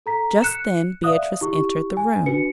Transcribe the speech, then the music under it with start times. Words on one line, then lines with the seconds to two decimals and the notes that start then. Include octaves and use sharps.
Just then Beatrice entered the room.
0.06 A4 A#5 B6
0.42 F#6 C#7 E7
1.03 D5 E5 F5 D#6 F#6
1.41 E4 G4 C#6
1.97 G#5
2.26 D4 F#4 B4 C#7